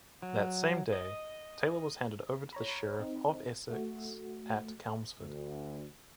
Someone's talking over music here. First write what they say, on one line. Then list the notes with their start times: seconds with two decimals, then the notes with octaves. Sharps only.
That same day, Taylor was handed over to the sheriff of Essex at Chelmsford.
0.22 F#3
0.93 D#5
2.53 C#5 A#5 B5
2.99 C4 D#4
3.70 A3 F#4
5.20 D2